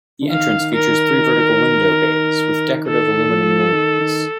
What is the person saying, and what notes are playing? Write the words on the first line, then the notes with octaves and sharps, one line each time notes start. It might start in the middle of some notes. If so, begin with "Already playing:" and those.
The entrance features three vertical window bays with decorative aluminum mullions.
D3
D#3 F5
D#3
A#4
D#3
D#3
D#3 A4
F3
D#3
D#3